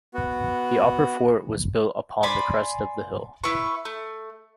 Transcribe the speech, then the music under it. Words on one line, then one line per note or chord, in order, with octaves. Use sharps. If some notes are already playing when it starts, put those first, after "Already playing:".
The upper fort was built upon the crest of the hill.
B3 F#4
D5 G#5 B5 C6
E4 B4 C#6
A3